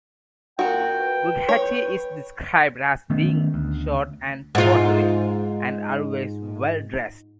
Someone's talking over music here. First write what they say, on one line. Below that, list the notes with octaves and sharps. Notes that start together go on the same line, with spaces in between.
Bugatti is described as being short and portly, and always well dressed.
A#2 F#4 A#4 G5
B4
C#5
D#3 A3 B3 C#4
D2
G#2 F4